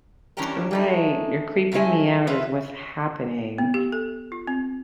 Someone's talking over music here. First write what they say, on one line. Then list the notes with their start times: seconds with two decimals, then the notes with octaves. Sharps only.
Right. You're creeping me out is what's happening,
0.37 E3 G3 C#4 D4 G4 A#4
0.71 G#3 A3 D#4
1.72 F#2 C#3 A3 E4 D#5 G#5
2.27 F3 F4 B4 D#5 E5
3.58 B3
3.74 G4
3.92 A4
4.32 F4
4.47 C4